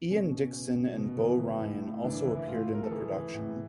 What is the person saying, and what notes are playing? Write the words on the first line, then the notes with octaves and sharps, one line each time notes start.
Ian Dickson and Beau Ryan also appeared in the production.
B2 C#4
B2
B2
B2
B2
E3
E3
A2
A2
E3 D4
E3 E4
A2 F4
A2
A#4
A4
E3 G#4
E3
A2